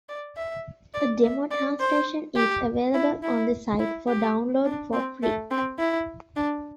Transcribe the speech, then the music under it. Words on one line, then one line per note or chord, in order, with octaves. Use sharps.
A demo translation is available on the site for download for free.
D5
E5
D5
E5
D5
C5
G4
E4
E4
E4
G4
D4
C4
A3
C4
E4
D4